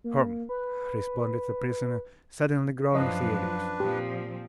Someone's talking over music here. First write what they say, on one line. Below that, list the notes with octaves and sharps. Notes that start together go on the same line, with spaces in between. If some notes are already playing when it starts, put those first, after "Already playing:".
"Hum!" responded the prisoner, suddenly growing serious.
A#3
B4
F#2 F3 D4 B4 D#5
A#2 F3 C4 G4